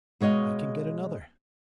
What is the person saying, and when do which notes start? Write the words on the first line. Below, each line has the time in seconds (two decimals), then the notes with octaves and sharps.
'I can get another.
0.21 B2 G#3 C#5 D#5 F5